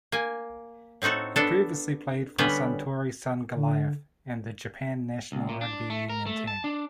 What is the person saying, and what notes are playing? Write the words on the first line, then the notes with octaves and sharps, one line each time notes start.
He previously played for Suntory Sungoliath and the Japan national rugby union team.
A#3 G#5
A2 C4 D#4 F#4 A4
B3 D4 A4
D3 G3 B3 C#4 B4
D3
C#2
A#2
D4
A3
A#4
A3
A5
D4